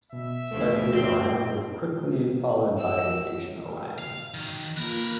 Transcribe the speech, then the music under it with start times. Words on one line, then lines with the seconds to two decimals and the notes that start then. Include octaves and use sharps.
"Starfleet Orion" was quickly followed by "Invasion Orion".
0.13 B2 E5
0.51 D2 C#3 E3 F3 A3
0.91 C4
2.78 E6
3.98 F5
4.34 D#3 F#3
4.77 A#3 F4 A#4 B4